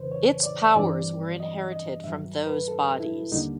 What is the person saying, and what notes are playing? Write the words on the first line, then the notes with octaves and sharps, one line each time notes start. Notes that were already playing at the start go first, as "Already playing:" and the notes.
Its powers were inherited from those bodies.
Already playing: F2 C#3 E3 B4 C5
C#5
D5
G2 E3 G3 C4 D5
D#5
D#5
G2 D#3 F#3 E5
B4
A4
E4
D#2 D3 G3 A#3 D#4